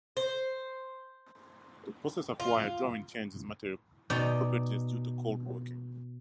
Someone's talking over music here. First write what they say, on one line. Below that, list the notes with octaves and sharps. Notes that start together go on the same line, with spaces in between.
The process of wire drawing changes material properties due to cold working.
C5
F4
B2 D#4 D5 G5